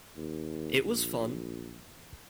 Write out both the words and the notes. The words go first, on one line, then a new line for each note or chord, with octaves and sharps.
It was fun.
D#2
A#1